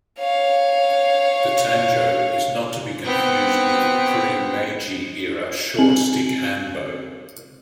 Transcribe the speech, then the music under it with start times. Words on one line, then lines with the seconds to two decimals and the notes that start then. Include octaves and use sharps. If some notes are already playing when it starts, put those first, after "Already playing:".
The tanjo is not to be confused with the pre-meji era short stick hanbo.
0.19 C#5 F5
3.05 B3 C4
5.77 C4 F#7